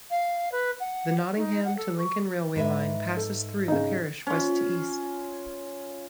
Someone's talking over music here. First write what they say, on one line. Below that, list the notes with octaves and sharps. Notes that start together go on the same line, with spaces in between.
The Nottingham to Lincoln railway line passes through the parish west to east.
F5
B4
F#5
D#4
F#5
A4
C#6
G#2 B4 E5
A4
C#3 D#4
C#4 F4